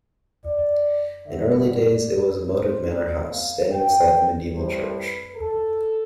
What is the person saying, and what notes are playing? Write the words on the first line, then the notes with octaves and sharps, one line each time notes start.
In early days, it was a moated manor house, standing beside the medieval church.
D5
F2 D3 G3 E5
D5
C5
B2 A3 C4 D5
F5
G5
A2 G3 C4 C5
B4
A4